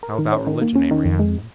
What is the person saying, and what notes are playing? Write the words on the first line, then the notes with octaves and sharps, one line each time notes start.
"How about religion?" Amory asked him.
A#4
D#3
C#4
D#3
A#3
C#4
D#3
F2
G#3